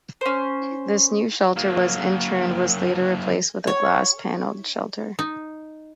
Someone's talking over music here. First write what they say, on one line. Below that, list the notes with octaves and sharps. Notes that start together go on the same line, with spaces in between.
This new shelter was in turn was later replaced with a glass panelled shelter.
C#4 C5
F#3 A#3
C#5
D#4